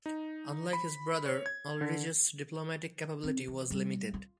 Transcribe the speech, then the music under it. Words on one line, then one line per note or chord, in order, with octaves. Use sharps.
Unlike his brother, Ulrich's diplomatic capability was limited.
D#4
B5
C#5
G#6
D3
C4
E3
G3
F4